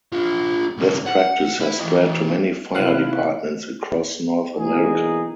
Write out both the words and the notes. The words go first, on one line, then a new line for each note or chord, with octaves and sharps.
This practice has spread to many Fire Departments across North America.
D4 F4
C2 D3
F#5
E4
E3 D#5
C3 C4 E4 F5 F#6
B1 E2 A#3 D#4 G#4